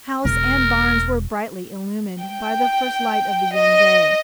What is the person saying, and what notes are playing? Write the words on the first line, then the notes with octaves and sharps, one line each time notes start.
House and barns were brightly illumined by the first light of the young day.
E1 A#4
G5
D#5